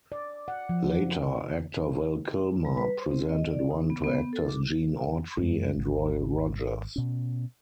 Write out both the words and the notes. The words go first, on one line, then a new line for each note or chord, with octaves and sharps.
Later, actor Val Kilmer presented one to actors Gene Autry and Roy Rogers.
D5
F#5
F3
G3
B4
C5
C4
D#5
D5
D#4
B3
B3
A4
D6
F#2 G#3
G#1
B2 C#4